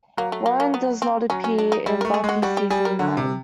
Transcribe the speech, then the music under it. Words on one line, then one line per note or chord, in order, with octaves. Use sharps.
Warren does not appear in Buffy Season Nine.
F#3 A#3
A3
A#3
A#3
B3
C4
F#3 C#4
C#4
D4
D#4
G3 E4
A3 A#4
G#4
G#3 F#4
G3 F#4
G4
G3 G#4
A#4
D3
C3